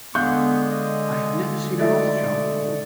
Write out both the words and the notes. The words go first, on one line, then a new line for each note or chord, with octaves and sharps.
I have never seen a Rothschild before.
D3 G#3 B3 F5 C#6 F#6 G6
D#5
A3 D#4 D5 E5